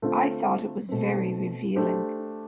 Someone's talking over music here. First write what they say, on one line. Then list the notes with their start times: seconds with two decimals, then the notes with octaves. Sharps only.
I thought it was very revealing.
0.02 D3 A3 C4 F4
0.89 B2 A3 C4
1.76 A3 D4 G4 C5